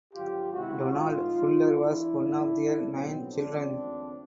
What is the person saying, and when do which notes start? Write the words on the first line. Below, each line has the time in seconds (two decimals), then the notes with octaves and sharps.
Donald Fuller was one of their nine children.
0.13 G#1 G2 D3 F#3 F4 G4
0.52 C#2 C3 D#3 G#3 E4 F#4
0.93 A2 F3 G#3 D#4 F4
1.32 G2 D#3 F#3 A#3
1.72 D2 C#3 E3 D4 E4
2.12 A1 G#2 F3 A#3
2.52 D2 D3 F3
2.92 B1 A2 F#3 B3 C4
3.31 E2 C#3 F3 G#3 C4 D4
3.71 D#2 C#3 F3 A3